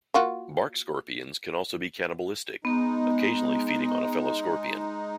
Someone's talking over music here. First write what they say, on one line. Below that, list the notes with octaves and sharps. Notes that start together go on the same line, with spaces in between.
Bark scorpions can also be cannibalistic, occasionally feeding on a fellow scorpion.
A#3 F4 F#4
G#3 B3 D#4